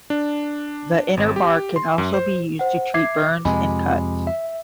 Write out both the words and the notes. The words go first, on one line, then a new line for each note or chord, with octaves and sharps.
The inner bark can also be used to treat burns and cuts.
D4
G#1
G4
C6
F#2
C5
C5 F#5
E5 D6 G#6 C7
F2 C3 G#3 D#5 G#5 B5
E5